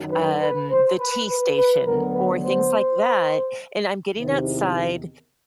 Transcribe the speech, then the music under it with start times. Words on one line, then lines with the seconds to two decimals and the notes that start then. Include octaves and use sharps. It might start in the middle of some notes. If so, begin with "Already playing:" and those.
um, the T station" or things like that, and I'm getting outside,
Already playing: F#2 D#3 F#3
0.11 B4
0.40 B4
0.70 C5
0.98 B4
1.28 B4
1.56 B4
1.84 D2 D3 F#3 B3 A#4
2.13 B4
2.43 C5
4.16 E2 C3 D#3